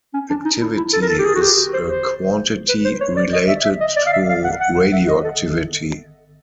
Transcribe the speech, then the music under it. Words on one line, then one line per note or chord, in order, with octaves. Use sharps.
Activity is a quantity related to radioactivity.
C#4
D4
D#4
E4
E4
A4
A#4
A4
G4
G#4
F#4
G4
C5
C5
B4
C5
C#5
D5
D#5
E5
E5
D#5
D5
F5
E5
F5
F#5
F#5
E5
D#5
A4